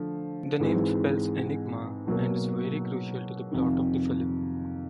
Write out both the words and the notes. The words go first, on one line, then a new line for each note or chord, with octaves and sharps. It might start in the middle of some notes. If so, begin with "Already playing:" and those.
The name spells enigma and is very crucial to the plot of the film.
Already playing: D3 F3 A3
G#2 E3 G#3 C4
B2 F#3 A#3
F2 C3 D#3